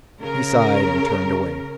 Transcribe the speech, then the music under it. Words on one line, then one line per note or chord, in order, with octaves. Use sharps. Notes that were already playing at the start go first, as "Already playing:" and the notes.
He sighed and turned away.
C#3 A#4